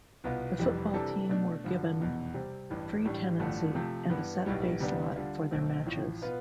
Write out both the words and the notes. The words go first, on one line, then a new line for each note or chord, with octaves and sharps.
The football team were given free tenancy and a Saturday slot for their matches.
C2 B2 B3 F4
F1 F2 E3 G3
C3 E3 G3 D4 A4
B2 A3 D4
G2 D3 F3
F1 E2 B2
C3 G3 C4
A1 G2 E3
A1 A2 G3 D4
A1 G2 D3 F3 A3
C3 F3 A3
G2 E3 B3
B1 A2 G3 B3
D2 C3 G3 B3 D4
D3 G3 D4 F4
B1 B2 A3 C4
A1 A2 F3
B2 B3 F4 B4